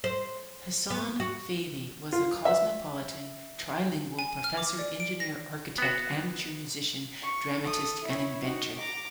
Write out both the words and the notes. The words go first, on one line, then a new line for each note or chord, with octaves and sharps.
Hassan Fathy was a cosmopolitan trilingual professor-engineer-architect, amateur musician, dramatist, and inventor.
C5
B3
F#4
F4
E5
G#5
F6
D6
D5
D7
A#6
B3 F#4
C#6
A4 D#6
E4 C#5
D#4 F#4
A#5 D6